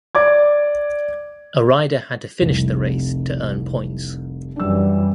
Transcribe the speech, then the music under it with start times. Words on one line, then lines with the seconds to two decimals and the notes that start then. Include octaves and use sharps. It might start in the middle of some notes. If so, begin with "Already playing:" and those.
A rider had to finish the race to earn points.
0.15 D5 D6 G#6
2.41 F1 C2
4.56 F#2 E3 G3 D4 E6